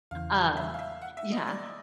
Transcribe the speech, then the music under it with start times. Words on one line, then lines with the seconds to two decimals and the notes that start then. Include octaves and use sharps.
Um, yeah.
0.11 E2 C#3 E3 F5
0.57 E5
0.74 F5
0.79 E5
1.02 F#5
1.17 E5
1.32 D#5
1.47 D5